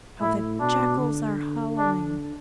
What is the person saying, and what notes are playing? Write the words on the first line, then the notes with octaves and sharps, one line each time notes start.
How the jackals are howling....
A2 E4
B2 D4
D3
D4